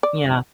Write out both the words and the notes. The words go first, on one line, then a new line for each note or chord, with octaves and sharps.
there, you know.
D5